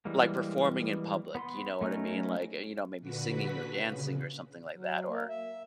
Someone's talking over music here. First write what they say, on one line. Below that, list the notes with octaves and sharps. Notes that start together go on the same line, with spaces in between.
like, performing in public, you know what I mean, like, you know, maybe singing, or dancing, or something like that or
E3 G3 G#3 A#3
B3 B5 C6
F#3 A3 B3 C#4 D#4
A#2 D3 F#4 B4 B6
C#3
F#3
A#3
E5